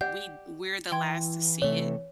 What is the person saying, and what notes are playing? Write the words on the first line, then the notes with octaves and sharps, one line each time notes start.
we we're the last to see it?
G4 D5 F#5 G6
E3 G5 C6 G#6
C3 A3 C#5